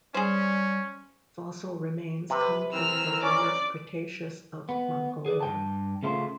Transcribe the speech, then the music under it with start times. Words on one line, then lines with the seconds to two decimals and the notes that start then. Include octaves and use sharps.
Fossil remains come from the Lower Cretaceous of Mongolia.
0.14 G3 C#4 G#4 C5
2.30 C3 B4
2.73 E3 C4 A#4 E6 F6
3.23 C#4 D5 D6
4.69 B3
5.26 G#4 B4 D5
5.41 G2 G5 A5
6.03 C#3 A3 E4 F4 C5